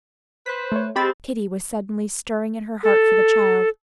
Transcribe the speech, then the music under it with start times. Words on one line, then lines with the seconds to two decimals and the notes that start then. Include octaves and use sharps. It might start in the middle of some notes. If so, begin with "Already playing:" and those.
Pity was suddenly stirring in her heart for the child.
0.46 B4 C5 B6
0.72 A3 C#5
0.96 G#3 C4 G4 B5 A6
2.83 A4